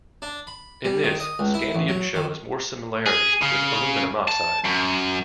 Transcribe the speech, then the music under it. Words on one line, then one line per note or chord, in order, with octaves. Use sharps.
In this, scandium shows more similarity with aluminium oxide.
D4
B5
G3
D#3
D#5
C#2
E4
A1
F#3
D#3
G#4
C#3
A5
F#2